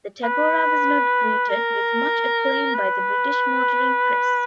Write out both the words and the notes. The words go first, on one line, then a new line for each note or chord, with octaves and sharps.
The Tagora was not greeted with much acclaim by the British motoring press.
B4
A#4
B4